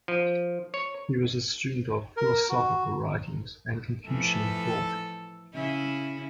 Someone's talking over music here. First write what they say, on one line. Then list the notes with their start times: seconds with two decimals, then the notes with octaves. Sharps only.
He was a student of philosophical writings and confucian thought.
0.08 F3
0.74 C#5
2.17 A#4
2.49 F#4
4.06 A2 E3 F3 A4
5.53 C#3 E4